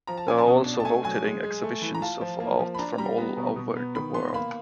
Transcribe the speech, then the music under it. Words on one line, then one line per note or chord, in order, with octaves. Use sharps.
There are also rotating exhibitions of art from all over the world.
F3 A#5
A5
C#4 G#5
A5
B2
D4
A5
A3 G#5
F#3 G#5
G#3
G#3
A3
E3
A#5
F4 A5
F3
A#3
F3
B5
D4 A#5
G3 A#5
B3
B2
B2
B3
D#3 B5
B3 C6
C6
A#3 B5